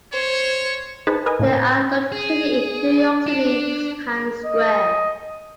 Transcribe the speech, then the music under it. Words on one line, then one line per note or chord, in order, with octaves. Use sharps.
They are located in New York City's Time Square.
C5 C#5
D#4 G#4 B4 C5 A5 B5
A#4 B4 D#5 G#5
A2 C#3 A#3
G#4
D4
D#5